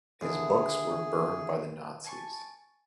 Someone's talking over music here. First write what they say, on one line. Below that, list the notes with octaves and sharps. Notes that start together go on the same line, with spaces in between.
His books were burned by the Nazis.
D#2 D3 E4 G#4
G#5 A5 C6 C#6